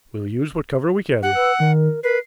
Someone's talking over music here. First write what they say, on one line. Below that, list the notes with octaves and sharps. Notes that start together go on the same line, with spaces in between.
"We'll use what cover we can."
G4 F#5
B4 E6
D#3 A#4
A#4 B4 C7